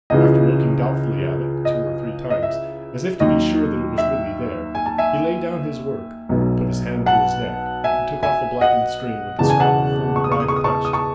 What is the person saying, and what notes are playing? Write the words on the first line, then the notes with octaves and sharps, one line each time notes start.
After looking doubtfully at it, two or three times, as if to be sure that it was really there, he laid down his work, put his hand to his neck, and took off a blackened string with a scrap of folded rag attached to it.
C#2 C#3 E3 D#5
D#5
D#5
E5
D#2 D#3 F#3 D#5
E5
G#5
A5
E5 G#5
B1 B2 F#3
F#5 A5
E5 G#5
E5 G#5
D#5 F#5
E1 E2 C#3 A5
G#5
F#5 A5
C#6
D#6
C#6
D#6
C#6
D#6
A5 C#6
D#6
A5 C#6